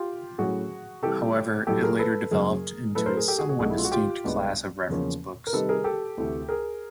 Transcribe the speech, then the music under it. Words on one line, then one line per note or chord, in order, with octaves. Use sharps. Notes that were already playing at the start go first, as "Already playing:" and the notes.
However, it later developed into a somewhat distinct class of reference books.
Already playing: F4 G4
A2 F#3 A3 C#4 F#4 G#4
C3 E3 G3 G4 A4
A2 F#3 A3 G4 A4
G#4 A#4
A4 B4
F#2 C#3 F#3 A#3 G#4 A#4
A2 F#3 A3 A4 B4
A#4 C5
G#4 A#4
G4 A4
F#4 G#4
F#4 G#4
C2 B2 F#3 A3 D4 F#4 G#4
E4
F4
F#4
F4 G4
C2 B2 G#3 B3 D4
E2 C#3 F3 A#3 C#4
A#4
C3 D#3 G3 A4 B4
G#4 A#4
G4 A4
D2 C3 E3 A3
G#4 A#4